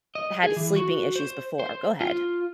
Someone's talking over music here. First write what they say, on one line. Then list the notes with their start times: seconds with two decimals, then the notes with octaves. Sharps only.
had sleeping issues before. Go ahead.
0.15 D#5
0.43 G#4
0.56 E3
0.76 F#4
1.16 C5
1.59 C5
2.01 F4